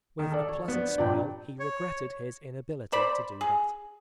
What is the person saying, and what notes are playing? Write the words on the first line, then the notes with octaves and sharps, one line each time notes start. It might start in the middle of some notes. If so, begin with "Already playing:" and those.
With a pleasant smile he regretted his inability to do that.
D#3
A4 D5
C#5
B3 D4 C5 D5
G2 A#2 D5 G5
C#5
C5 D5 B5
G#4